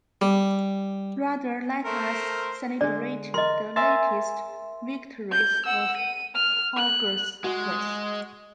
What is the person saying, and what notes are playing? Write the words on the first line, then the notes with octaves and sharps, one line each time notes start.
Rather let us celebrate the latest victories of Augustus.
G3
A3 A#4 C5
D3 G#3 D5
A#4 D#5 C6
A#4 E5 G#5 C6 A6
G6
F#5 E6
D#7
F6
F#6
G#3 F#4